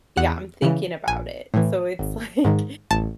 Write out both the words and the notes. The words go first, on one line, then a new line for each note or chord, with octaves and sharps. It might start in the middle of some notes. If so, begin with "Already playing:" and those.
Yeah, I'm thinking about it. So, it's like,
E2 F#5
C#3 E3
A#1 G#5
A2 E3
G#1
G#2 D#3
A1 A5